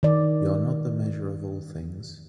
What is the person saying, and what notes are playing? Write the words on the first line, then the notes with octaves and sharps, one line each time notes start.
You're not the measure of all things.
D#3 D5